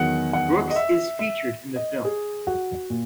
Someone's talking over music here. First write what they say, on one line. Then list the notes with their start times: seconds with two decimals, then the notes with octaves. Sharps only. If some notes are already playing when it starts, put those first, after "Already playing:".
Brooks is featured in the film.
Already playing: E2 D#3 F#3 F#5
0.33 F#5
0.71 D#5
0.76 E5
1.19 E5
1.76 D#5
2.05 G#4
2.47 F#4
2.90 A#2